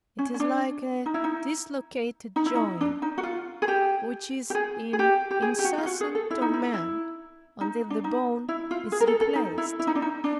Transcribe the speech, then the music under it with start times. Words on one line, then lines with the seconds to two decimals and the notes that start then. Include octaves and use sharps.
It is like a dislocated joint, which is in incessant torment, until the bone is replaced.
0.19 C#4
0.34 C#4
0.40 D4
1.06 D#4
1.14 E4
1.24 D#4
2.36 D#4
2.46 E4
2.56 D#4
2.81 D4
3.02 D#4
3.18 F#4
3.23 F4
3.62 G#4
3.68 G4
4.50 G4
4.55 G#4
4.93 G#4
4.99 G4
5.31 G4
5.42 G#4
5.59 G4
5.64 F#4
5.78 F4
5.86 F#4
6.01 G#4
6.15 A4
6.30 E4
6.42 D#4
6.53 E4
6.74 E4
7.61 D#4
7.90 D4
8.04 D#4
8.49 E4
8.71 F4
8.92 G#4
9.01 A#4
9.07 A4
9.21 A4
9.35 D#4
9.58 E4
9.79 E4
9.87 D#4
9.95 D4
10.02 D#4
10.24 D4